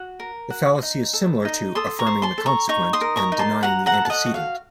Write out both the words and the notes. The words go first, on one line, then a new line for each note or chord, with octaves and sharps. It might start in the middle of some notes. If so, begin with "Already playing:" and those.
The fallacy is similar to affirming the consequent and denying the antecedent.
Already playing: F#4
A#4
F#4
D#4
A4
D#4
A4 C6 D#6
A#5 C#6
C5
A5 C6
A4
A#5 C#6
D#4 A#5 C#6
C6 D#6
A#4
A#5 C#6
D#4
A5 C6
F#4 F#5 A#5
F#5 A#5
A4
A5
D#5 F#5
F#4
F5